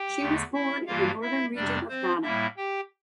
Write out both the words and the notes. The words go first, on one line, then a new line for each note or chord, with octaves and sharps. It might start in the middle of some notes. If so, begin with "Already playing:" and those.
She was born in the Northern Region of Ghana.
Already playing: G4 G5
E2 D3 A3
E4 E5
G2 E3 G3 A#3 F4 F5
E4 E5
F2 C3 G3 D4 D5
C4 C5
A2 G3 A#3 E4 E5
G4 G5